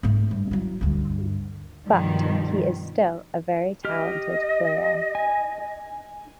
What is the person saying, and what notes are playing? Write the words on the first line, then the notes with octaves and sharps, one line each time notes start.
But he is still a very talented player.
G#2 A3
G2
F#3 E4
D2 G2
G2 B2 D#3 F3 G3
G4 D#5 F6
G#5